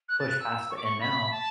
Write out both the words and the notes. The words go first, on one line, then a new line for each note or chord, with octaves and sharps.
push past it and now
F#6
A6
F#6
E6
C#6
D6
C#6
B5
A5